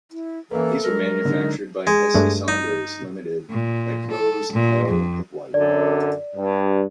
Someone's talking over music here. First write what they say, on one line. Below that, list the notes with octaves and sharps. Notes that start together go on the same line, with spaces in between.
These were manufactured by S E Saunders Limited at Cowes, Isle of Wight.
E4
E3 A#3 C#4 A4 B4 E5
F#3 G#3 A#4
D3 D#4
G#3
G2 A3 D4
D#4
A#2
A4
A#2
F2
F#2 D3 D5
G2